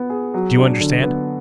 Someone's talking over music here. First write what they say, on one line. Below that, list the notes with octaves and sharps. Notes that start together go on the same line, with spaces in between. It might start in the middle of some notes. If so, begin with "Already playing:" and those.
Do you understand?
Already playing: B3
G#4
F#3
D4
D3
B3